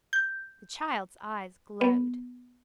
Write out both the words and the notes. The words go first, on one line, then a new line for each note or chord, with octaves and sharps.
The child's eyes glowed.
G6
B3